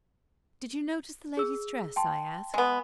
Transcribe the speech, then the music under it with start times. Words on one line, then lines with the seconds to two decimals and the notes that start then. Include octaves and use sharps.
"Did you notice the lady's dress?" I asked.
1.37 G#4 E6
1.96 G5 A5 C6
2.54 G#3 B3 G#5